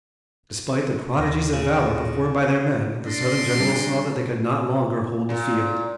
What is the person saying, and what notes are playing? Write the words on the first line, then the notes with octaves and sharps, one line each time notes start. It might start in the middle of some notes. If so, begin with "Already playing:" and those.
Despite the prodigies of valor performed by their men, the Southern generals saw that they could not longer hold the field.
D#2 A#6
C#3
D4 D5 D#5 C6
D3 G3 G#4
A#2